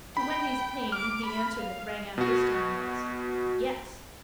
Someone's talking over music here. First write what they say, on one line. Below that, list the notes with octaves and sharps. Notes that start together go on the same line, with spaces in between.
To Wendy's pain the answer that rang out this time was "Yes."
G5 B5
D6 F6
B5
F5
B2 F#4